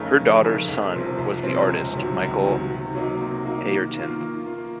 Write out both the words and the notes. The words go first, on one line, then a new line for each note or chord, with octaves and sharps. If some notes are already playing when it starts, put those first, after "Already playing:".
Her daughter's son was the artist, Michael Ayrton.
Already playing: F2 C#3 A3 D#4 A#4
F2
C#3 A3 D#4 A#4
C2
C3 F3 C4
C2
C3 F3 C4
C#2
C3 D#3 F#3
C#2
C3 D#3 F#3
C3
F#3 A#3 D#4
C3
F#3 A#3 D#4
D#3
A#3 F4
D#3
A#3 F4